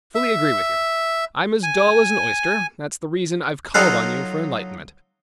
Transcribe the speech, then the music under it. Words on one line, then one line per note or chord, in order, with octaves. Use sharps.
I fully agree with you! I’m as dull as an oyster; that’s the reason I’ve called on you for enlightenment.
E5
G#5
F#3 D#4 F4 A4 F5 F#5